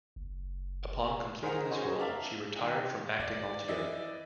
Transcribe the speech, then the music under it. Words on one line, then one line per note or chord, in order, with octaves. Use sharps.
Upon completing this role, she retired from acting altogether.
F#1
G#4 A#4 C5 D#5 F#5 A#5
C#4 D#4 F#4 G#4 C5
E5 F5 A5 A#5 D6
D#3
D5
E3 D#5 E5